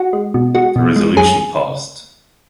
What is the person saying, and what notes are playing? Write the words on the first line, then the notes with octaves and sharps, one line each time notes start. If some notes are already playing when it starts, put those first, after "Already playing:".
The resolution passed.
Already playing: F#4
G#3
B2
G#3 F#4
B2
G#3
F#2 G#4